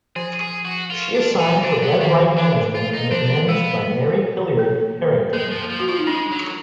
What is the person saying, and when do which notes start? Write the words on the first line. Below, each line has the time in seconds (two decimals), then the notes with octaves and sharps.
She is signed to Red Light Management and is managed by Mary Hilliard Harrington.
0.16 F3 G#4
0.41 G#4
0.65 F#4
0.90 F4
1.15 D4
1.40 D#4
1.63 F3 D4
1.83 B3
2.00 D#3 A#3
2.38 D4
2.75 F4
2.94 D#4
3.11 F3 D4
3.49 G#3 B3
4.59 A#3
5.33 G#3 A#3
5.51 F3
5.70 F3
5.80 F#4
5.88 F3 F4
5.98 D#4
6.07 G#3 D4
6.32 F#3